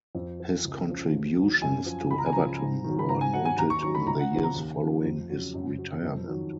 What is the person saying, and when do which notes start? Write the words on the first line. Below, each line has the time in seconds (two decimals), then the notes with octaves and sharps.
His contributions to Everton were noted in the years following his retirement.
0.15 F2
0.40 F3
0.64 C#2
0.88 C#3 F3
1.13 D#2
1.37 D#3 F#3
1.62 F#2 G#5
1.86 F3
2.11 C#2 B5
2.18 A#5
2.26 G#5
2.33 C#3 F3 A#5
2.60 G#2
2.84 D#3 F#3
2.99 B5
3.09 G#2 A#5
3.21 G#5
3.33 F#3 F#5
3.45 G#5
3.58 D#2 A#5
3.70 C#6
3.82 D#3 F#3 C#6
3.95 B5
4.07 C#2 A#5
4.19 F#5
4.31 C#3 F3
4.43 A#5
4.56 D#2
4.80 C#3 F3
5.04 F2
5.30 C#3 F#3
5.54 F#2
5.78 C#3 F#3
6.03 F2
6.27 D#3 F#3